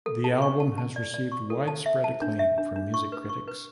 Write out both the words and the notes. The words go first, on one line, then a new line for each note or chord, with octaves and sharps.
The album has received widespread acclaim from music critics.
A4
A5
C#6
A5
A5
D5
D5
C#6
A4
A5
E5
A5
D4
E5
D4
D4
C#6
B4
C#6
B4